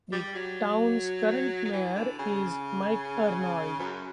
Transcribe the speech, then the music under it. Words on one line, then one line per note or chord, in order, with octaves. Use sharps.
The town's current mayor is Mike Arnold.
G3
F#3
F#3
E3
D3
C#3
F#2